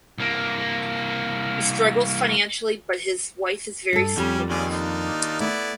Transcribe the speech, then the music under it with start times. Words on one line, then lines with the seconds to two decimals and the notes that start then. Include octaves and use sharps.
He struggles financially but his wife is very supportive.
0.18 C2 A#3
3.93 G2 A4
4.18 F2 G3 C#4
4.50 D#2 C#4 G#4 D5
4.72 D4 D#4 F4
5.40 A3 B3 E4 D5